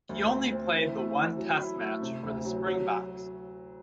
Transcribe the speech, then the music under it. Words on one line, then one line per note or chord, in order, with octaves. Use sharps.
He only played the one test match for the Springboks.
D2
C4
C4
E3
A3
E3
F#3
E4
A3
C3
D2
F#3
F#3
F#3